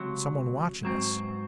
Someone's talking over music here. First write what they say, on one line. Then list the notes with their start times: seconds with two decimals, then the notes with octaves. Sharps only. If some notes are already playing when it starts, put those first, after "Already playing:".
Someone watching us.
Already playing: C#2 C3 F#3
0.83 G#2 F#3 C4